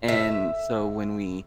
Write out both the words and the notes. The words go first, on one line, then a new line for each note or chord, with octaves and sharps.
And so, when we
E5